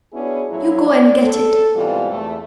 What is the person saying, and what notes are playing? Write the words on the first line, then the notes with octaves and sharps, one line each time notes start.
You go and get it.
B3 C#4 D4 E4 F#4 G#4
A2 F3 F#3 C#4 E4 C#5
D5
A4
G#2 B2 E3 G3 C4 F4
E2 A3